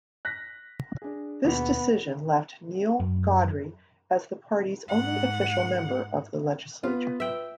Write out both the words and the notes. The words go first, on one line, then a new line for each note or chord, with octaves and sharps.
This decision left Neil Gaudry as the party's only official member of the legislature.
F#6 A#6 B6
D4 G#4
D#2 B2 B3
F#2
G#2 F#5
B3 F4 B4
B4 E5 G5